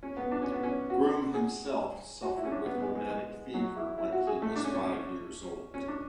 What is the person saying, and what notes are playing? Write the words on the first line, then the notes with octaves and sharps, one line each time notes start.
Groom himself suffered with rheumatic fever when he was five years old.
C#4
B3
D4
C#4
B3
C#4
F#4
G#4
F#4
E4
C#4
D4
B3
G#3
G#3
G#3
F#3
E4
E4
F#4
G#4
A3
D4
C#4
C#4
C#4
C#4
D4